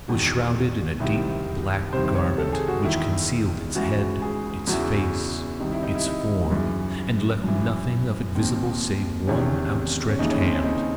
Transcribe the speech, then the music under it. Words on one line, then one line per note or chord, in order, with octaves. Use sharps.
It was shrouded in a deep black garment, which concealed its head, its face, its form, and left nothing of it visible save one outstretched hand.
E2 D#3 F#4
C2 C3 D#3 E4
C2 C3 D#3 C5
C5
C#5
A4
G#4
F#4
E2 D#3 E4
C#2 C#3 E3 F#4
G#4
E2 C#3 E3 F#4
C2 C3 D#3 D#4
E4
D#4
E4
D#4
F#2 C#3 E3
F#2 E3
D#2 D#3 C4
E2 C3 D#3 C#4
C#4
D#2 C#3 E3 D#4
C#4
C4
C#4
D#4